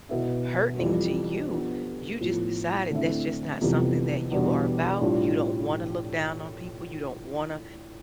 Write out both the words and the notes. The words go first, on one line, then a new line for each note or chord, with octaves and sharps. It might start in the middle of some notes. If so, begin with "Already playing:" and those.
hurting to you, you just decided that's just not something that you are about, you don't wanna look down on people, you don't wanna,
B2 B3 E4
F2 E3 G3
F3 B3 D4 G4
A2 F3 B3
D3 A3 C4 E4
F2 C3 E3 G3 B3
E2 B2 G3 B3 D4
A2 G3 D4 F4